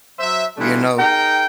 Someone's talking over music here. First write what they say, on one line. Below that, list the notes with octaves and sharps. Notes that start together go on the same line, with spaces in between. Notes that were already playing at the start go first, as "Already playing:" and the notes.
you know,
F#3 C5 E5
E3 G3 A3 D4 D#4 F4
D#4 G#4 A#4 G5